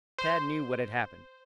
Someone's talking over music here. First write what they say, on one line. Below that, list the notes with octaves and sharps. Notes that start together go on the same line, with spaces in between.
Tad knew what had happened.
C5